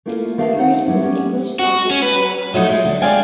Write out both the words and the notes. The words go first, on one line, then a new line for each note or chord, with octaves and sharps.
It is decorated with English Gothic style carvings.
A3 A#3 E4 F4
D#3 A3 B3 D4 G4 F5
D#4 C5 F#5
F#3 G3 B3 C4 E4
B3 C#4 G4
F#4
C#4
B4
F3 F#3 A3 D#4
G#3
D3
G#3 D4 D5 F5 G5 G#5